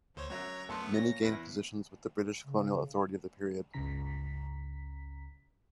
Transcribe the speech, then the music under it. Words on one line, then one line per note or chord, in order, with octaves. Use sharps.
Many gained positions with the British colonial authority of the period.
D2 C5 C#5
F#2 F#4 C#5 E5 A#5
F#2 A3 B3 A4 A5 C6
A#2 C#5 A#6
E2 E4 B4
C#3
G1 C#2 C#3 A#5 B6